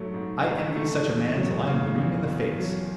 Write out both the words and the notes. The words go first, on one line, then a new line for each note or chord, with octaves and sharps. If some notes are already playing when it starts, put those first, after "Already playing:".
I envy such a man till I am green in the face.
Already playing: G#2 F#3 A3
G#2
G#2
A3
E2
F#3
C#3
E2
E2
F#3